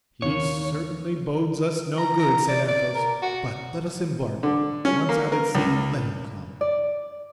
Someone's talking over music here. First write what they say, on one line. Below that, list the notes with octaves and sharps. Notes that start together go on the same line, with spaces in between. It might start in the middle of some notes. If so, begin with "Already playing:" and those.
"He certainly bodes us no good," said Athos; "but let us embark; once out at sea, let him come."
D#2 D#3 C#5
A#5
A#5
D5
D5
A#4
F#4
D3
C#4
A#3
A#4
C#2
D5